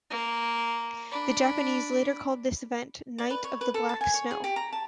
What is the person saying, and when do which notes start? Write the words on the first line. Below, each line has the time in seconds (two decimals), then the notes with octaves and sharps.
The Japanese later called this event Night of the Black Snow.
0.10 A#3
1.11 D4 B5
3.18 D5
3.30 B4
3.44 C#5
3.61 B4
3.74 A4
3.89 A5
4.01 G#5
4.14 C#5
4.31 G#4
4.44 G4
4.56 A#5
4.73 A5